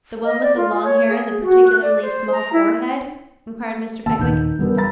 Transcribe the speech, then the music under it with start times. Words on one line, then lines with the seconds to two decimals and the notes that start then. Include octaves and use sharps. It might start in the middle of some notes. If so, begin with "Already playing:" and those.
'The one with the long hair, and the particularly small forehead?' inquired Mr. Pickwick.
0.24 D#5
0.41 D5
0.55 F4
0.82 C#5
1.08 G#4
1.43 F#4
1.67 F#6
1.81 D5
2.02 C5
2.32 A#5
2.53 E4
4.06 E1 A#3 A5 E6
4.19 D#2 A#2 D#3 G6
4.59 E1 G3 B3 A#4
4.77 A#5 B5 A6